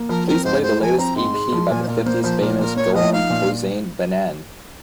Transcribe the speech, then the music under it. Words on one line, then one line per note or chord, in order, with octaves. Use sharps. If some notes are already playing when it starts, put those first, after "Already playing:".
Please play the latest ep by the fifties famous Gholam Hossein Banan.
Already playing: A#3
F3 A#4
C4 A#4
G#2 C5
G#3 C5
F3 G#5
C4 A#5
G#2 C6
G#3
F3
A#2 G#5
C5
A#2 A#4
A#3 C5
F3 C5
A#2 A#4
A#2 A#4
A#3 C#5
F3 D#5
D#4 F5
A#2